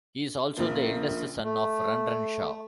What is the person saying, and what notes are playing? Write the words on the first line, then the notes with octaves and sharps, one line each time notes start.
He is also the eldest son of Run Run Shaw.
A#1 C#3 F3 A#3
A3